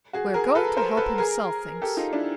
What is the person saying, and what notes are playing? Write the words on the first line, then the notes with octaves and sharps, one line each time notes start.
"We're going to help him sell things."
F#4 G#4
G#4 A#4
A4 B4
A#4 C5
A4 B4
G#4 A#4
G4 A4
D#4 F4
D4 E4